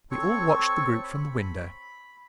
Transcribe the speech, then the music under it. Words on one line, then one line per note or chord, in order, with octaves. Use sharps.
We all watched the group from the window.
C4 A4 C#5 C#6
B5